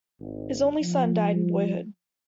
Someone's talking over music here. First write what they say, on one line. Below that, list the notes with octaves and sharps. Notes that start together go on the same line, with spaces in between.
His only son died in boyhood.
G#1
F3